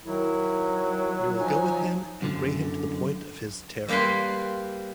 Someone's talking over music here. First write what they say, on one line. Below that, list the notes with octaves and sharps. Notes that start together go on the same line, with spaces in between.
We will go with him and bring him to the point of his terror.
D#3 F#3 E4
F3 D#4 G#5
F#2 D3
G3 A#3 B4 B5 C6